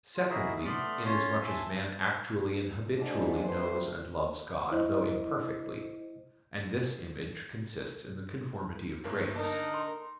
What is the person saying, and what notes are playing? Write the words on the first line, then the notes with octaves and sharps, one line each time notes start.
Secondly, inasmuch as man actually and habitually knows and loves God, though imperfectly; and this image consists in the conformity of grace.
F4
E4 F#4 G#4 A#4 D#5 E5
A3 B3 D5 B5 C6 F6
C#4 F4 C#5 C6
E5 G#5 A5 C6
G#2 A3 D4
D2 G2 G3 B4 C5
E4 C5 D#5
G1 G2 A#3
D3 D#4 A#4 A5
C6